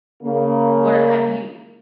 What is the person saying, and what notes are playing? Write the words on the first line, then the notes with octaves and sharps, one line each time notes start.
What have you
C#3 A#3